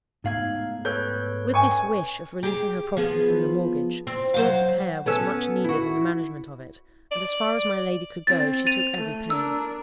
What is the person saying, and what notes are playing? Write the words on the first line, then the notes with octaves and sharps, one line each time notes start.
With this wish of releasing her property from the mortgage, skilful care was much needed in the management of it; and as far as my lady could go, she took every pains.
G#2 A3 B3 D#4 F5 G#6
A4 B4 C#5 G6
G#5 C#6
G4 G#4
F3 B3 G#4
C4
F#3 C5 F5
B3 C#4 A4
E4 F#4
D5
C4 A6
A6 D#7 F7
A3
D4 A#4 E6